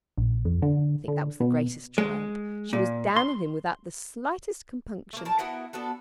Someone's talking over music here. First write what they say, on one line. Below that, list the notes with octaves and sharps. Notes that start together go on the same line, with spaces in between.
I think that was the greatest triumph. She was down on him without the slightest compunction.
A#1
F2
D3
D3
B2
G#3
A#2
C6
A3 A#3
A2 A#3 A5 A#5
B3 E4 F#4 A#4
B3 D4 F#4 A4